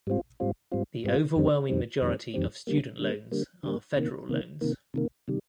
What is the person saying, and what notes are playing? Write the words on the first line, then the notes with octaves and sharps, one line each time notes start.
The overwhelming majority of student loans are federal loans.
G#2 G3 C4 F4
G#2 G3 C4 F4
G#2 G3 C4 F4
G#2 G3 C4 F4
F2 D#3 G3 C4
F2 D#3 G3 C4
F2 D#3 G3 C4
F2 D#3 G3 C4
D3 G3 A#3
D3 G3 A#3
D3 G3 A#3
D3 G3 A#3
C3 D#3 A#3
C3 D#3 A#3
C3 D#3 A#3
C3 D#3 A#3
C3 D#3 G3